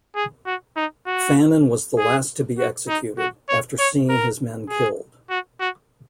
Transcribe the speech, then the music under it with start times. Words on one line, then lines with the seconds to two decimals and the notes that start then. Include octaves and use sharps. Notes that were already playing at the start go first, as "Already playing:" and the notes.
Fannin was the last to be executed, after seeing his men killed.
0.15 G#4
0.46 F#4
0.76 D#4
1.06 F#4
1.97 G#4
2.58 F#4
2.88 D#4
3.18 F#4
3.49 C#5
3.79 C#5
4.09 A#4
4.69 G#4
5.30 F#4
5.60 F#4